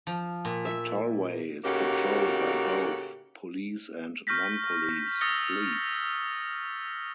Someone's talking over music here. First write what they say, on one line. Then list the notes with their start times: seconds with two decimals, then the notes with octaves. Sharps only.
The Tollway is patrolled by both police and non-police fleets.
0.07 F3
0.45 A#2
0.65 E5
1.65 A2 C#3 A#3 D#4 F#4 G4
4.27 C#6 F6 G6 A#6 B6
5.21 D#6 E6 A6 A#6 C#7 G7